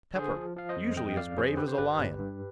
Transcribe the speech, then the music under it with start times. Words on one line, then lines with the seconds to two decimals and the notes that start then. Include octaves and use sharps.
Pepper, usually as brave as a lion!
0.15 D3 G#4 C5
0.36 F3
0.57 F3 F5
0.69 C5 D#5
0.77 F2
0.96 F2 D#5 G5
1.17 F2 D5 F5
1.37 F2 G#4 C5
1.57 D3 G4 B4
1.68 C5
1.78 G1 G4 B4
1.99 G1
2.19 G2